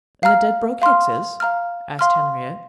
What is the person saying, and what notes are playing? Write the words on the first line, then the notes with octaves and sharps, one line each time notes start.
"And the Dedbroke-Hickses?" asked Henriette.
F5 A#5 F6
F5 C6 F6
F5 A#5 F6
F5 C6 F6